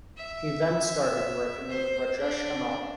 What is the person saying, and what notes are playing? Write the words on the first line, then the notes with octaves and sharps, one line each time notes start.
He then started working with Rajesh Hamal.
E5
C5
D4